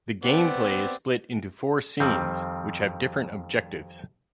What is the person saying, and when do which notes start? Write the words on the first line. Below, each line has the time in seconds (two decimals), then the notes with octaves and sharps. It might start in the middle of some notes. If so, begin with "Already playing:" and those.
The gameplay is split into four scenes, which have different objectives.
0.23 B3 C4 D5
2.00 F2 D#3 G3 C4